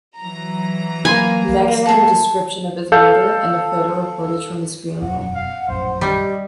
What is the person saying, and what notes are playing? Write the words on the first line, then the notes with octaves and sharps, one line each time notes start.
Next came a description of his murder and a photo reportage from his funeral.
E3 F#3 A#5
A#3 G#5 B5 C6
G#4 A4
A4 F5 G6
E1 F#2 B2 F#5
F5
A#1 F#2 A2 C5
G3 G4 D#5